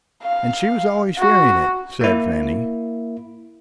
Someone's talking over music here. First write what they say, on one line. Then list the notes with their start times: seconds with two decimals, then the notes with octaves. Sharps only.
"And she was always fearing it," said Fanny.
0.23 F5
1.18 F#4
2.01 A#3 E4